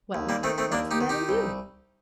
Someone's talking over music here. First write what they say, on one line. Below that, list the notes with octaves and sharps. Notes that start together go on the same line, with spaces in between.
"Well, what's the matter with you?"
D#2
G3 A#3
D#3 A3 C4
A3 C4
D#2 A#3 D4
D#4 G4
D#3
D#4 G4
C2